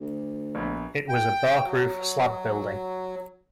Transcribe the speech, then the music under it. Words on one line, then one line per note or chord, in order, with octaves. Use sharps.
It was a bark-roof slab building.
D2
A#1 B3
G5
F#3